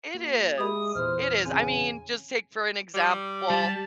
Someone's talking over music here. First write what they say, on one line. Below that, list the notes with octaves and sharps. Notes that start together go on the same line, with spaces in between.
It is, it is I mean, just take for an example,
A#3 F#4
G#3 G4 E5 B5 D6 D#6
E2 A#2 E3 C5 F6
C#3 C4 G#5
G3
G3 A5